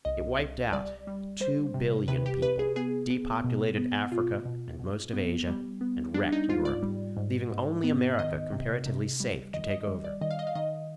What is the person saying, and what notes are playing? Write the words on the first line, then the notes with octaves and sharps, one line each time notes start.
It wiped out two billion people, depopulated Africa and most of Asia, and wrecked Europe, leaving only America comparatively safe to take over.
C2 D#5
C2
G3 D5
G3
G3 C5
C3
C3 B4
G4
C3 B4
G#4
B3 G#4
B3
B2
B3
B2 F4
B2
B2
B3
G3
B3
G3 D4
D#4
G#2 F4
D5
G3
G#2
G#2
B3
D#3 D#5
C3
C3
G3
D#3 D#5
D#5
G3
D5
D#3 D#5
F5
D#5
F5
D#3 D#5